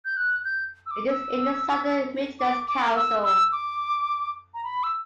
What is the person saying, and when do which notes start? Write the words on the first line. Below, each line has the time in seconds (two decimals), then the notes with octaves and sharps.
It is in the Southern Midlands Council.
0.05 G6
0.17 F#6
0.45 G6
0.86 E6
0.91 D6
1.10 E6
2.40 D6
2.68 D6
2.96 E6
3.24 E6
3.52 D6
4.54 A#5
4.64 B5
4.83 E6